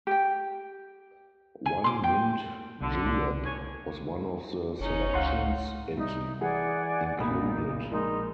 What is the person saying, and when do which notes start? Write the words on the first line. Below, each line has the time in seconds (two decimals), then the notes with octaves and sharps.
"One Mint Julep" was one of the selections it included.
0.07 G4 G5
1.66 G#5
1.84 C6 D6
2.04 G5
2.81 B1 D3
3.04 C2
3.45 C#5 G#5
4.80 F#1 C#4 D#4
5.14 C#2 F5 F#5 C6
5.97 C2 C3 D#4
6.41 E3 G#4 D5 F#5 G#5
7.19 B1 A#2 D#4 B5
7.91 A#1 G#3 D#4 A#4 C6